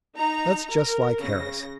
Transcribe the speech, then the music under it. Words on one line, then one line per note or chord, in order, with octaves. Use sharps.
That's just like Harris.
D#4 A#5
A#4
C#3 A#6